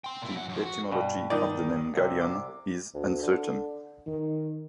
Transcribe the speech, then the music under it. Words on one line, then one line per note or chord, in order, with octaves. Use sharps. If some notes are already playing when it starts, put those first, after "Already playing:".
The etymology of the name Galion is uncertain.
G5 C6
A#2 E4
F#2 F#5
F#2 F3
F#4
G2 B2
D#3 D#4 D5
C2 C3
D6
D2
D3
D#3